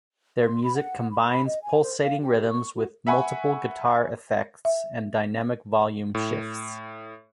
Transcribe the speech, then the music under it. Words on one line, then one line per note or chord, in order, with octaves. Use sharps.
Their music combines pulsating rhythms with multiple guitar effects and dynamic volume shifts.
C6
B5
F#5
B5
B5
D#5
G#5
C5
F5
G4
C#6
F#4
E5 F#5 G#5 B5 C#6
E5
A2